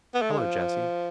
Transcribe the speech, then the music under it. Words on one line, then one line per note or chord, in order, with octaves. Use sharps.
"Hello, Jesse."
B3
A3
G#3
F3